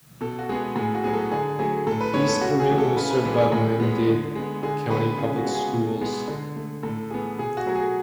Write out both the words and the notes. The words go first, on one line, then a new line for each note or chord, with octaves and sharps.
East Perrine was served by Miami-Dade County Public Schools.
B2 A4
F#4
G#3 B3 G#4
A2 G#4
F#4
F#3 B3 G#4
A4
D3 G#4
F#3 A3 G#4
A2 A4
B4
G#3 B3 C#5
A4
C#3 F#4
G#4
E3 A3
A4
C#3 B4
B4
A4
E3 G#3 B3
G#4
A2
G#3 B3
D3
G#3 B3
D3 G#4
G#3 B3 B4
C#3 G#4
F#4
G#3 B3
G#4
B2
G#3 B3
D3
A3
A2 A4
E3 B3 G#4
B2 G#4
F#4
F#3 A3
G#4